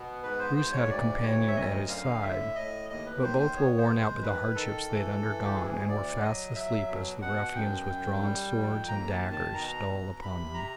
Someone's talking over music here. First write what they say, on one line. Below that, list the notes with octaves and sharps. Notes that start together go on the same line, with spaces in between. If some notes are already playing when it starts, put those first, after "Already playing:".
Bruce had a companion at his side, but both were worn out by the hardships they had undergone and were fast asleep as the ruffians with drawn swords and daggers stole upon them.
Already playing: B2 B3
G#2 B4
C5
G#2 C5
C#5
D2 D5
D2 C#5
E5
F#2 D#5
D3 F5
A2 E5
A2 D#5
D#2 D#5
B4
D#3 C5
C5
B3 C#5
C5
G#3
C5
D#3 B4
D#3 A4
E3
E3
G4
D2 G#4
D2 D5
F#3 D#5
F#3 E5
B2
B2 F#5
F#2 G5
F#2
G3
F2
D#2 A#5
A5
D#3
A5
B2 A#5
B2
C3 B5
A#5